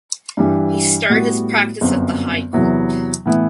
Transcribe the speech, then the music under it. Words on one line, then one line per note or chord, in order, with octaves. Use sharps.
He started his practice at the High Court.
G2 E3 G3
A2 G3 B3 F#4
G1 F#2 F#3 C4
E2 C3 F#3 B3 E4
A2 E3 B3 E4